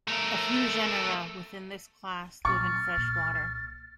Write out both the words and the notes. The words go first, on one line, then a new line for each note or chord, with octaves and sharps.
A few genera within this class live in fresh water.
A3 A#4
A#2 F#3 C#6 F6 A6
C2 A#2